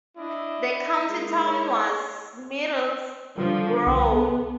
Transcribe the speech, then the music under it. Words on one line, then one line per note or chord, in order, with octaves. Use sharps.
The county town was Middlesbrough.
D4 E4 D#5
G#3 A#3 D#4
C#5
D3 F3 G3
C2 B3